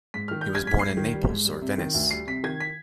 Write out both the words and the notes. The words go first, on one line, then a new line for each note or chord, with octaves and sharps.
He was born in Naples or Venice.
G#2 B6
D#3 F6
G6
G3
G#6
G#2 B6
G#2 C7
D#3
G3
G#2
G3
C3
D#3
D2
G3 C7
C3 B6
D#3 G#6
B6